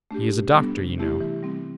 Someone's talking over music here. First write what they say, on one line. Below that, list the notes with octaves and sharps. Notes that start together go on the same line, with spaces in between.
He is a doctor, you know.
A3 D4 G4
B2
G3 B3 D4 A4
C3
E3 A3 E4 G4
E3
G3 C4